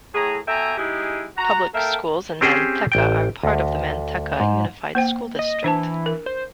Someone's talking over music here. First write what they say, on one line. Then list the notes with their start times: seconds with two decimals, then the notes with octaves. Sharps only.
Public schools in Manteca are part of the Manteca Unified School District.
0.14 A2 G#4 A#5
0.48 B2 A4 E5 G5 G#5 A#5
0.78 G#3 D#4 E4 G4 G#4
1.37 F#4 A#5
1.74 A#3 A4 A#4 E5 G5
2.41 C4 C#4 G4 G#4 C5
2.92 A1 G5
3.43 D2
4.40 G#2
4.95 A#3 C5 G5
5.39 D#5
5.64 E3 D4 C5 A5
6.06 A#4
6.26 C5